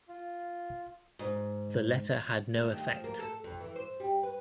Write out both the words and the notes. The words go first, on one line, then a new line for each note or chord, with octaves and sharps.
The letter had no effect.
F4
G#2
A3
D#2
F3
A#3
A4
F2
E3
C5
G3
B4